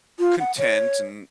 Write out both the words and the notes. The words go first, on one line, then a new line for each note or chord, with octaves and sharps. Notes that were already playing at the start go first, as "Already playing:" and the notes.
content and
F4
F#5
C#5